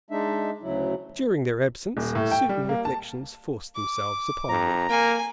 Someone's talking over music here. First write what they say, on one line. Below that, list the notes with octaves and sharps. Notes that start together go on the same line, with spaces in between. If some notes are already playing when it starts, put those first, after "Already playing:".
During their absence certain reflections forced themselves upon me.
G#3 D4 D#4 E5
D2 C#3 F#3 E4
D#1
A2
G5
G3
A#3
A5
D6
F2 A#5
A#3 G#5